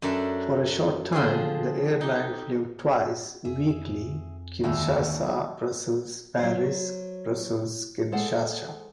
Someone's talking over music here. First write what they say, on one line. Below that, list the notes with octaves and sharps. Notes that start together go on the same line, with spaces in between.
For a short time, the airline flew twice weekly Kinshasa-Brussels-Paris-Brussels-Kinshasa.
F#2 D4 A4 A#4 D5 E5
D3 F3 C4 D4 G#4
D#4 G4
F2 G#4 E5
D#2 A2 D3 G#3 E5
F#3 C5
G#3 A4 C5 F#5